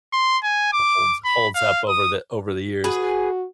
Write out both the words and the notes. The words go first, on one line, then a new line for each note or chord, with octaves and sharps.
holds holds up over the over the years.
C6
G#5
D6
B5
F5
D#6
F#4 G#4 B4